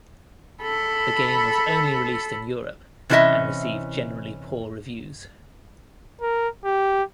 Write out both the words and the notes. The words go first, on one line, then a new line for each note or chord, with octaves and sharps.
The game was only released in Europe and received generally poor reviews.
A4 B5
C3 E3 C#4 A4 D#5 E5
A#4
G4